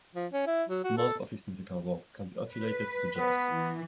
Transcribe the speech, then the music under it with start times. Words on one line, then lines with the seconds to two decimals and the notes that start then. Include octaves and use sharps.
Most of his musical works can be affiliated to Jazz.
0.15 F3
0.33 C#4
0.47 E4
0.69 F#3
0.84 F#4
0.98 A4
2.51 B4
3.18 B3
3.52 E3